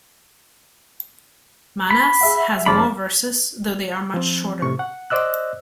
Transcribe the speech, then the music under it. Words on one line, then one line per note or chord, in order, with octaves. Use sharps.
Manas has more verses, though they are much shorter.
B5
G#4 E5 F#5
F1 C4 G#4 D5 A5 B5
F3 C4
A2 C3 C#6
F#5
C5 D5 D#5 E6 F#6